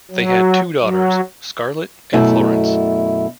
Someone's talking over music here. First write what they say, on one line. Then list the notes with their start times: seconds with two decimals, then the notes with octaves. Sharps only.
They had two daughters-Scarlet and Florence.
0.11 F#3
0.81 F#3
2.13 F#2 B2 A3 E4